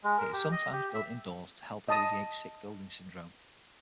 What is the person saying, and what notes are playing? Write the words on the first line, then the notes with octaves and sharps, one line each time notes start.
It is sometimes built indoors to help alleviate sick building syndrome.
G#3
A#4
G4
D#5
G4
E5
D#5 A5 D#6